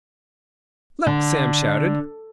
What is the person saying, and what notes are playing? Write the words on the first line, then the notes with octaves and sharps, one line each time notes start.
"Look!" Sam shouted.
D3